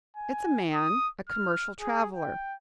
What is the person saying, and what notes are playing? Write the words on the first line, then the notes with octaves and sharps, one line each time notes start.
It's a man--a commercial traveler.
G#5
D#6
F6
G#4
G5